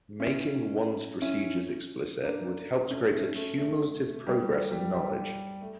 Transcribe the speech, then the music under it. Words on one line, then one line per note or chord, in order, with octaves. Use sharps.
Making one's procedures explicit would help to create a "cumulative progress in knowledge".
C#4 E4
C#4 E4
A#3 D4
A3 C#4
A3 C#4
A3
A3
G3 A#3
G3
G3
A3